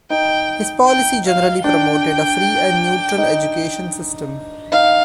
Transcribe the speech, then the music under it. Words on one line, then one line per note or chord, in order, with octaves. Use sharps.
His policy generally promoted a free and neutral education system.
D#4 G5
G5
F5
D4 G5
D#4
D#4 F5